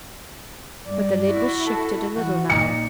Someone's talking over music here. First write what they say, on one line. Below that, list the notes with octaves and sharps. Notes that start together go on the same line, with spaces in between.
But the lid was shifted a little now.
G2 D5
E4 F#4
A4
E3 F#4
A#2 D#4 C#7